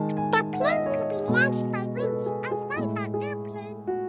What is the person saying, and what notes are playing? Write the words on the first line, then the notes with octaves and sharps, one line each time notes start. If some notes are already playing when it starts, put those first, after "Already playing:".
The plane could be launched by winch as well by airplane.
Already playing: D#3 G#3 A5
G#5
F#5
E5
D#5
E5
C#5
D#5
B2 G#3
B4
A4
G#4
G#4
A2 G#3 E4
G#4
F#4